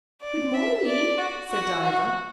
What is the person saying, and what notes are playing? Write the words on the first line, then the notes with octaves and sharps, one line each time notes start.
"Good morning," said Diva.
D5
E5
D5
F#4
F#4
F#4